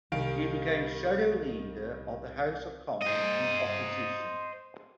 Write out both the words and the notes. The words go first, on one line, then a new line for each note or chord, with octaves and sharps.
He became Shadow Leader of the House of Commons in opposition.
C2 D#3 F5 B6 D7
C5 D#5